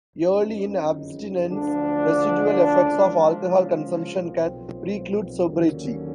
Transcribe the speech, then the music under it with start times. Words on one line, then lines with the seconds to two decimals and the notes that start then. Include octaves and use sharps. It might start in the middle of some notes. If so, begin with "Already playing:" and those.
Early in abstinence, residual effects of alcohol consumption can preclude sobriety.
0.16 F#1 F2 C#3 D#4
1.49 D2 D3 F3 D4
2.81 C#2 C#3 F3
3.48 C#4
4.15 B1 A#2 F3 C4
5.47 D#2 D3 F#3 C#4